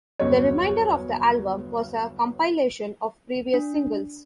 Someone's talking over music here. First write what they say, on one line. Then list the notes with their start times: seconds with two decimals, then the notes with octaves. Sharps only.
The remainder of the album was a compilation of previous singles.
0.19 G1 E2 F#3 C#5
3.54 D4